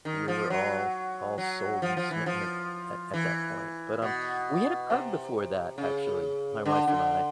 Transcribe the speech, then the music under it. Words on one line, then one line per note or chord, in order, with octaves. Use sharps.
we were all all sold and smitten at at at that point, but, um, we had a pug before that, actually, my wife and I
D#3
F3
F#3
F#3
F3
F3
E3
F3
E3
B2
C3
C#3
D3
D3